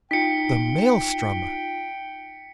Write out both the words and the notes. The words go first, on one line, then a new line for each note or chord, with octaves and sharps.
The Maelstrom!
D#4 F4 G5 B6 C#7